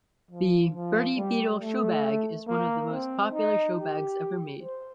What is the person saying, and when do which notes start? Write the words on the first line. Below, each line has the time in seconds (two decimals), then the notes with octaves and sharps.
The 'Bertie Beetle Showbag' is one of the most popular showbags ever made.
0.31 F3
0.74 F3
1.17 G3
1.61 A3
2.48 A#3
2.91 C4
3.33 D#4
3.77 G4
4.63 C5